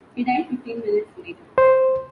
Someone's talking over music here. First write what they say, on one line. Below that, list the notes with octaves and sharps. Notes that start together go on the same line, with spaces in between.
He died fifteen minutes later.
C5